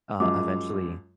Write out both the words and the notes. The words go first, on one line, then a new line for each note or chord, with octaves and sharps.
uh, eventually,
F#2 F3 G#3 D6